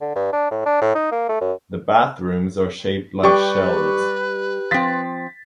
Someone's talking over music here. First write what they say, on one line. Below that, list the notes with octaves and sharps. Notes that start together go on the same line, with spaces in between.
The bathrooms are shaped like shells.
D3
G2
D4
A2
D4
A2
D#4
A#3
A3
F#2
G3 G4 B4 D5 G5 C#6
F3 C4 A6 B6